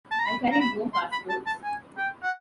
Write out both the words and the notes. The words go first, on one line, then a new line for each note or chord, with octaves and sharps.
I carried no passports.
A5
A#5
B5
A#5
B5
C6
B5
A5
A5
G#5
G5
F#5